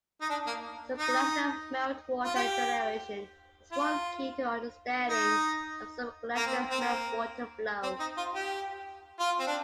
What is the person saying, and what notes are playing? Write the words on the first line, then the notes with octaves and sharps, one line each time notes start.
Subglacial meltwater generation is one key to the understanding of subglacial meltwater flow.
D#4
D4
A#3
D#4
F4
G4
F4
D#4
A#3
C4
C4
A#3
C4
D#4
F4
G4
F4
C4
D4